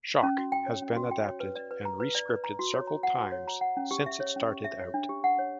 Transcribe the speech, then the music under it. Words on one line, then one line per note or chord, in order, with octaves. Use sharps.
"Shock" has been adapted and re-scripted several times since it started out.
C#4
F#4
G5
C#5
C#4
F#4
G5
C#5
B4
D5
B4
A#5
B4
D5
B4
A#5
F#4
C#5
A#5
F#5
F#4
C#5
A#5
F#5
C#4
G4
E5
C#5
C#4
G4
E5
C#5
D4
G4
F#5
C#5